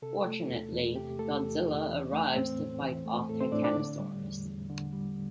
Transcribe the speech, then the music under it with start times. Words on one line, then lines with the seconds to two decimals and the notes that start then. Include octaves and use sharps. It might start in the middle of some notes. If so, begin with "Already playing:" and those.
Fortunately, Godzilla arrives to fight off Titanosaurus.
0.02 C3 A4
0.26 A3
0.49 E2
0.73 E2
0.96 C3 G4
1.19 A3 A4
1.43 E2
1.65 E2
1.89 E3
2.12 A3
2.36 A2 C4 C5
2.59 A2
2.82 E3
3.06 A3
3.29 A2 A4
3.40 C4 C5
3.52 A2 D4 D5
3.64 D4 D5
3.76 D3
3.99 G3
4.23 E2
4.45 E2
4.70 D3
4.93 G3